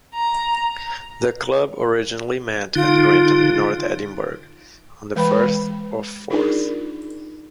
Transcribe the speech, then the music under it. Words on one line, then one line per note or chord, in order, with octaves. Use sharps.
The club originally met at Granton in North Edinburgh on the Firth of Forth.
A#5
D3 D#4 F4
E3 G#3 B4 F5 G5 B5
D4 D#4 F4 G#4 A#4 D5